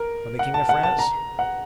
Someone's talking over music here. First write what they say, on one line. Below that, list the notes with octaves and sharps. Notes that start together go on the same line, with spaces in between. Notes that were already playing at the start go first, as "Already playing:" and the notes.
"From the king of France?"
Already playing: A#4
F#5
A5
F#5
A5
A#5
F#5